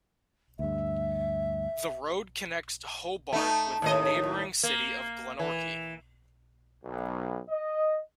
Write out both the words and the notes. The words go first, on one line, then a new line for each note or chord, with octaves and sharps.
The road connects Hobart with the neighbouring city of Glenorchy.
D2 G2 E5
A3 D#4
D#2 A2 D#5
A#3
E3
B1
D#5